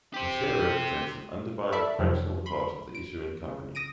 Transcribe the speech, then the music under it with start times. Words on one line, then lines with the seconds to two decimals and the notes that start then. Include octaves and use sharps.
A share represents an undivided fractional part of the issuing company.
0.14 G4 C5
1.72 A4 D5 E5 A5 B5
1.99 F2 C3 D#3 F3 F#3
2.46 B5 C6
2.95 D7
3.48 C#3
3.75 D#6 A#6 D7 D#7